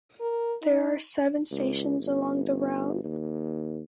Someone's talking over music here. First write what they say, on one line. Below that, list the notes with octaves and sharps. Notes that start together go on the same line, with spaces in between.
There are seven stations along the route.
A#4
D#4
C#2
G1
D#2